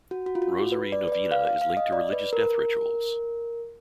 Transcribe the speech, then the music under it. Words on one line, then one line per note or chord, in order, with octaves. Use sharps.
Rosary Novena is linked to religious death rituals.
F#4
F#4
F4
F#4
B4
D5
B4
D5
F5
F5
F5
D#5
D5
B4
A#4